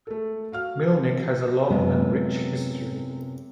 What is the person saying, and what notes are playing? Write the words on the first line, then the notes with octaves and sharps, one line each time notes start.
Mielnik has a long and rich history.
A3 A4
F#4 F5 F6
F#2 C3 G#3 B3 F4